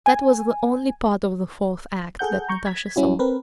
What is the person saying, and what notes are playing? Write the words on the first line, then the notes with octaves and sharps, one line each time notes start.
That was the only part of the fourth act that Natasha saw.
G#5
G#4 A4 F#5 G6
A#5 C#6 G6
G#6 B6
G3 C#4 E4 F#4
C4 A#4 B4